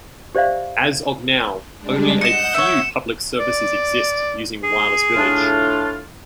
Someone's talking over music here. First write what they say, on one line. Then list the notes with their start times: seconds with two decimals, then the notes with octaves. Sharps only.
As of now, only a few public services exist using Wireless Village.
0.35 G4 C5 D5 E5 F5
1.78 G3 G#3 D4
2.21 D#5 F#5 G6 C#7 E7
2.54 C#5 E5
3.39 D5
4.64 G#4
5.16 A2 D4 F4